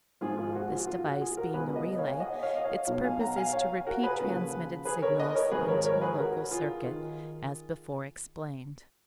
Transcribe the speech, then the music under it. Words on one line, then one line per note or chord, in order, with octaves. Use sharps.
This device being a relay, its purpose is to repeat transmitted signals into a local circuit, as before explained.
G#1 G#2 F3 F4 G#4
F4 G#4
F#4
F4
F#4
F4
F#4
F4 G#4
F#4 A#4
C#2 B2 G#4 B4
B4 D#5
C#5 F5
G#5
D#5 F#5
D#5
C#5 F5
D#5
C#5 F5
B1 B2 C#5 F5
F5 G#5
F#5 A#5
F5 G#5
C#5 F5
F#4 A#4
G#4 B4
D#2 C#3 F3
G#4 B4
A#4 C#5
B4 D#5
A#4 C#5
G#1 G#2 D#3 G#4 B4
A#4 C#5
A#4 C#5
G#4 B4
F#4 A#4
F4 G#4
D#3